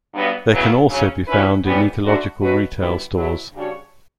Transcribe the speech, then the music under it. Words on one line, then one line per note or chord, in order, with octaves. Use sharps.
They can also be found in ecological retail stores.
G2 F#3 B3
C#3 F#3 B3 E4
C#3 F#3 C#4
F#3 C#4 E4 B4
A2 E3 G3 B3
F#2 D3 A3 D4 F#4
B2 A3 C#4 F#4 B4
F#2 D3 G3 B3 E4
B2 F#3 A3 E4
C#3 G3 D4 F#4 C#5